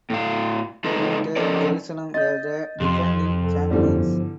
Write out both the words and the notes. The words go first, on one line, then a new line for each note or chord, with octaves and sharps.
Beitar Jerusalem were the defending champions.
A2 F5
C#3 G#3 D#4 F4 A4 B4
F3 C#4 D#4 A4 A#4 D5
D#5 G6 A6
F2 C3 C6
A4
G2 D3 E3 F3 G3 B3